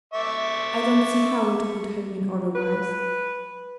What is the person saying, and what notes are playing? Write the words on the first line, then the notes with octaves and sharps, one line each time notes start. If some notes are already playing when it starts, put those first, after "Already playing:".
I don't see how it could have been otherwise.
E5 C#6 D6
B4